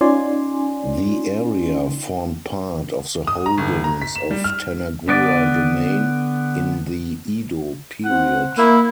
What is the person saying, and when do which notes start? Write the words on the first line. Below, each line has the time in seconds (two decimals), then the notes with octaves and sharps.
The area formed part of the holdings of Tanagura Domain, in the Edo period.
0.01 C#4 D#4 F4 D5 G#5 C6
3.27 D#6
3.46 A#5
3.58 G1
3.84 A#5
4.02 B6
4.15 E7
4.31 G3
4.44 F6
5.08 D3 B3 D5
8.05 C4 F#5
8.58 A#3 E4